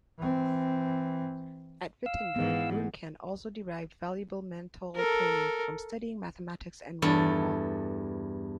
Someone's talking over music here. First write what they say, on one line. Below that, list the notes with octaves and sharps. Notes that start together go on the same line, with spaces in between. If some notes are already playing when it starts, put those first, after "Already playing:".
At Wittenberg, Ruhnken also derived valuable mental training from studying mathematics and Roman law.
E3 C4
F5 E6
G#2 E3 B3
A4 A#4
E2 G2 A4